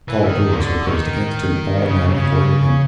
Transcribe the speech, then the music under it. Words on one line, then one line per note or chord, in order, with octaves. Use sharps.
All doors were closed against him, all men avoided him.
E3
D#3
C#3
D3
D#3
C3
C#3
C3
C#3